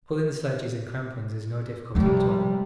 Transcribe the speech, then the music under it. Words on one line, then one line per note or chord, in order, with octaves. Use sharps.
Pulling the sledges in crampons is no difficulty at all.
C3 F3 G3 G#3